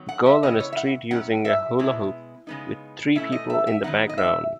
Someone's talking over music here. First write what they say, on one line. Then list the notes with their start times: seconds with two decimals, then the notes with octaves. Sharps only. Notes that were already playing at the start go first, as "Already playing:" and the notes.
Girl on a street using a hula hoop, with three people in the background.
Already playing: D#3 F#3 B3
0.09 F#5
0.26 E5
0.43 C#3 G#3 B3 E4 D#5
0.60 C#5
0.72 E5
0.77 F#5
1.11 G#2 F#3 C#4 E4 F#5
1.45 E5
1.79 B2 G#3 B3 E4
2.47 C#3 G#3 B3 D#4
3.15 B2 A3 C#4 E4 E5
3.32 D#5
3.50 E5
3.67 E5
3.83 D#3 F#3 B3 D#4 F#5
4.09 D#5
4.18 E5